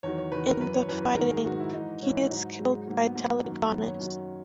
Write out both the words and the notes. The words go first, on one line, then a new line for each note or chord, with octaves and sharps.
In the fighting, he is killed by Telegonus.
E2 D#3 F#3 C#5
C#5
E2 D#3 F#3 B4
A#4
F#2 E3 B4
C#5
F#2 E3 B4
B4
G#2 D#3 F#3 A#4
G#4
G#2 D#3 F#3 F#4
E4
G#2 E3 D#4
G#2 E3 C#4
E4
D#4
G#2 F#3 D#4
G#2 F#3 G#3
G#2 F#3 A#3
B3
G#2 F#3 A#3
F#2 D#3 F#3
F#2 D#3 F#3 B3
C#4
F#2 D#3 F#3